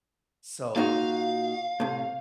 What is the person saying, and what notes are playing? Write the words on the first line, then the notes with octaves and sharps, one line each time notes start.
So, eh eh
A#2 D#4 F#4 F5
A2 C3